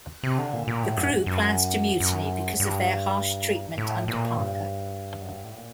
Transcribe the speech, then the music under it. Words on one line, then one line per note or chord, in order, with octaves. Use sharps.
The crew plans to mutiny because of their harsh treatment under Parker.
C3
D3
A#2
A#2
A2
F#2
F#2
F#2
G2
A2
A#2
G2
F#2
G2
A2
A#2